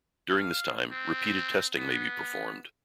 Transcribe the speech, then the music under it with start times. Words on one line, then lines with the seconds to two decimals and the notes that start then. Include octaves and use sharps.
During this time, repeated testing may be performed.
0.30 F5
0.91 C4
1.77 B3